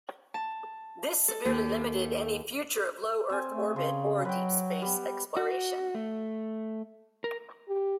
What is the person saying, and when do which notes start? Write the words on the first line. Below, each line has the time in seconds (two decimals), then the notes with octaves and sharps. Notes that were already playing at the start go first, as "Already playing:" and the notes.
This severely limited any future of low earth orbit or deep space exploration.
0.34 A5
1.28 A4
1.45 D#2
3.30 C4 G#5
3.51 A3
3.76 C#3 C6
4.25 F#3 B4 G5
4.82 G3 B3
5.37 F#4
5.95 A3
7.24 A#4
7.68 G4